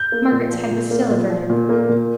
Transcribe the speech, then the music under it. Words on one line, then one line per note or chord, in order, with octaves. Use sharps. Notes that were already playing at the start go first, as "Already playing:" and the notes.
Margaret's head was still averted.
Already playing: G6
A#3
A#2
F3
A#2
A#3
A#2
F3
A#2
A#3
A#2